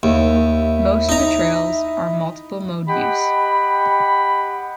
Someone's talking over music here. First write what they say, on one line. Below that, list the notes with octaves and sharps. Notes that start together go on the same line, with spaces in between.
Most of the trails are multiple mode use.
D#2 E4
D#4 A#5
G4 D#5 F#5 G5 B5